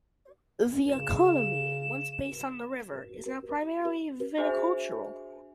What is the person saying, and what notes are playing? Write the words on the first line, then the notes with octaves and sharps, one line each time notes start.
The economy, once based on the river, is now primarily viticultural.
C#3 E7
D4 F#4 G#4 C5 E5 G#5